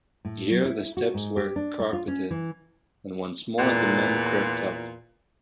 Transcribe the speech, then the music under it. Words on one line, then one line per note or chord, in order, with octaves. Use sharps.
Here the steps were carpeted, and once more the men crept up.
A2
F#3
E4
F#4
G#2
G4
D4
A3
F4
C#4
E3
E2 A#2